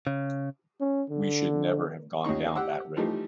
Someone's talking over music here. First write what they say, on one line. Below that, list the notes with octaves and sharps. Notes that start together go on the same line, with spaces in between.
We should never have gone down that road.
C#3
C#4
D3
D#2 C#4 D#4 C#6
G4 F#5 D6 E6
E3 F3 G3 A3 D#4 G4